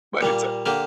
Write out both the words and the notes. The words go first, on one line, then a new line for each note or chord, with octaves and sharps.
But it's, uh
A#2 G3 A#3
D3 A#3 G4 A#4